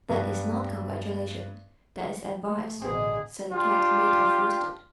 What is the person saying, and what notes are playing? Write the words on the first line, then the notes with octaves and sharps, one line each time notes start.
"That is not congratulation; that is advice," said the Cat-made-of-worsted.
G2 B3 A#5
A3
A1 B2 D3 C4 D#4 G#4 D#5
D4 F4 G4